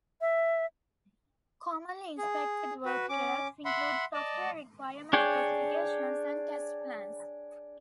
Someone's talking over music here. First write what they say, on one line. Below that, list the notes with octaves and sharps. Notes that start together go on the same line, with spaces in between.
Commonly inspected work products include software requirements specifications and test plans.
E5
G#4
F#4 B4
C#4 D6
E5 F#5 B5 C6
D5 D#5 A5
D4 G#4 C#5 G5